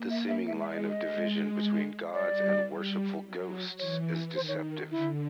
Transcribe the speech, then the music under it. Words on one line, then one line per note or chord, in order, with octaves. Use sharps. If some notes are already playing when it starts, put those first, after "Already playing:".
The seeming line of division between gods and worshipful ghosts is deceptive.
Already playing: A#3
E5
E5
G#3 E5
E5
D#5
D#5
G#3
G3 D5
G3
F#3
E3 C#5
D#3 C5
C#5
F#4
D3 E4